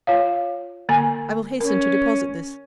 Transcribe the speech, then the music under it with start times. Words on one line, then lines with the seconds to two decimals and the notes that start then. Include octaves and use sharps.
I will hasten to deposit this.
0.07 F4 C#5 F5
0.89 D3 A#3 G#5
1.60 C#4 A#4